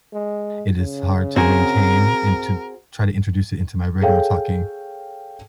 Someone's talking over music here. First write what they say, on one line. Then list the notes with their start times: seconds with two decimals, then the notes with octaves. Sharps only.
it is hard to maintain and to try to introduce it into my regular talking
0.13 G#3
0.78 C#3
1.36 C4 F#4 G#4 A#4
4.02 G#4 A4 C#5 F5 G5